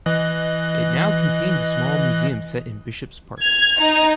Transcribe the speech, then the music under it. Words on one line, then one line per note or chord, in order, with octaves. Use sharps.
It now contains a small museum set in Bishop's Park.
E3 D#5 F#6
G#6 F7
D#4